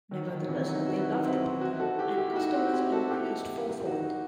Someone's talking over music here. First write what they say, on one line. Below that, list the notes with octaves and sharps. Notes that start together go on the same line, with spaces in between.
Nevertheless, they loved the building and customers increased fourfold.
D#3 F#3
D#3
F#3
C3 E3
B3 D#4
F#4
E4
D#4
C4 E4
D#4 F#4
F#4 A4
E4 G4
E4 G4
D#4 F#4
C4 E4
E4 G4
F#4 A4
E4 G4
D#4 F#4